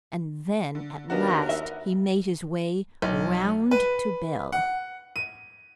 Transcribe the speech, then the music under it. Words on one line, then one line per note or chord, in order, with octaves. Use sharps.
And then at last he made his way round to Bell.
D3
D#2 B3 D4 F#4 A#4
E5
B1
B4
F#5
D#7